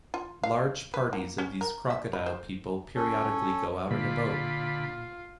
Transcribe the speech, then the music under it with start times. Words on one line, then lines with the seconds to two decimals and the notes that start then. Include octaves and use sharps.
Large parties of these crocodile people periodically go out in a boat.
0.14 F4
0.43 F5
0.94 B4
1.13 A#3
1.38 C#4
1.61 A#4
1.90 E5
2.13 B5
2.26 C5
2.95 C#4 A4
3.91 A#2 D3 F4 B5